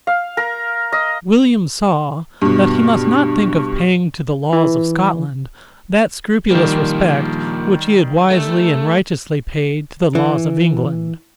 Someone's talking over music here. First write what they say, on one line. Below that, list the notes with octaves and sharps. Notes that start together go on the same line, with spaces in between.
William saw that he must not think of paying to the laws of Scotland that scrupulous respect which he had wisely and righteously paid to the laws of England.
F5
A#4
D#5
G2 B2
E3
D#3 F3 G3 A#3
A3
E3